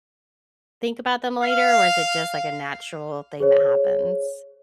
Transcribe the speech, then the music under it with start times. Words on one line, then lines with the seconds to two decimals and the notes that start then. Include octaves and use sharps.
think about them later, or is it just, like, a natural thing that happens?
1.42 F5
3.40 G#4 C5 C#5